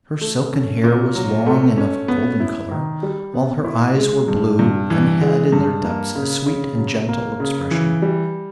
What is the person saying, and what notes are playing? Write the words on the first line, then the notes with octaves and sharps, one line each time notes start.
Her silken hair was long and of a golden color, while her eyes were blue, and had in their depths a sweet and gentle expression.
A3
C#4
A#2
F#3
A3
C#4
B3
E4
D#3
G3
B3
E4
G#3
G2
G2
E3
G#3
G2
A#3
C#3
C#3
F#3
A#3
C#3
E3
G3